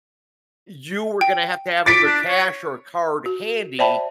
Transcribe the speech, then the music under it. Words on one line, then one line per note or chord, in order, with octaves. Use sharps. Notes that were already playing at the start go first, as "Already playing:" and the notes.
you were gonna have to have either cash or a card handy
G5
D6 A6 B6 C#7 D7
D4
C#5
F#4
C5 D5 E5 G5 A5 B5